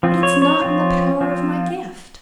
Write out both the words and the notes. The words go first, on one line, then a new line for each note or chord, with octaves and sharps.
But it's not in the power of my gift.
F3 C4 F4
C#5
C#5
F3 C4 F4
F3 C4 F4